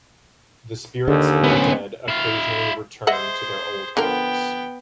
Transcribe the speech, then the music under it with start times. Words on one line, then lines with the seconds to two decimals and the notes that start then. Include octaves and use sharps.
The spirits of the dead occasionally return to their old homes.
1.08 D#2 D3
1.44 B3 C#4
2.08 E4 F5
3.07 G#4 C5 D#5 E5 F#5
3.97 D3 F3 B3 A#4 G5